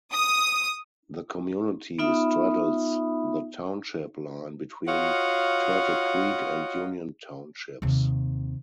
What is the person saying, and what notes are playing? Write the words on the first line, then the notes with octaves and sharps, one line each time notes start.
The community straddles the township line between Turtlecreek and Union Townships.
D#6
B3 D#4 F4 E5 B5 D#6
F4 F#4 C#5 D#5 F5 F#5
D#2 C3